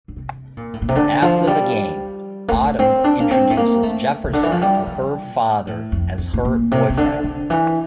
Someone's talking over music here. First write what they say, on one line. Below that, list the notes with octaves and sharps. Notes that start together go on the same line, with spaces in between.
After the game Autumn introduces Jefferson to her father as her boyfriend.
D3
C3
A#2
A2
A#2
C3
D3
F3
G3
A#3
A3
C4
D4
A#3
C4
A3
A#3
A3
C3
D3
E3
F3
G3
F3
A#2
A2
F2
F2
A2
A#2
C3
C3
D3
D3
E3